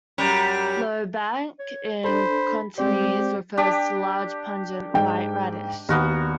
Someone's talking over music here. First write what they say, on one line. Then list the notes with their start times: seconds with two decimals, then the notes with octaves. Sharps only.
"Lo bac", in Cantonese, refers to a large, pungent white radish.
0.18 F#2 G3
1.59 C#5
2.04 D4 A4 C5 B5
2.78 G#3 C4 G4 C5 D5
3.57 D4 G4
4.94 G#2 G5
5.89 D#2 B3 F#4 A#4